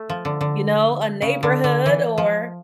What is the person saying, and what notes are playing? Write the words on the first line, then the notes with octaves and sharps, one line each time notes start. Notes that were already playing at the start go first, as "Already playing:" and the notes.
you know, a neighborhood or
Already playing: A3
F3
D3
D3
C#3
D3
D3
E3
F3